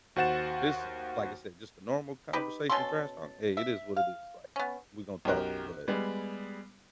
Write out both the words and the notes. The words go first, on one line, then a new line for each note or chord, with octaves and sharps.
if it's, like I said, just a normal conversation trash talk, hey, it is what it is, like, we're gonna talk, but,
D#2 F#4 C5 F#5 A6 E7
D#4 G4 B4
B2 C#4 A4 C6
E5
F5
B3 C#4
B1 F#2 G4 A#4 F#6
G3 G#3 B3